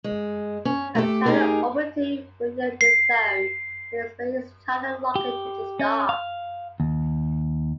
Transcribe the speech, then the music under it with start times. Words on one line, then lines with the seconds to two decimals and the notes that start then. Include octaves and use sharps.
A planet orbiting within this zone may experience tidal locking to the star.
0.04 G#3
0.65 C#4
0.95 A3 G4 A4
1.25 D#4 G4 G#4 A#4
2.81 C7
5.15 G4
5.79 C#4
6.09 F5
6.80 D#2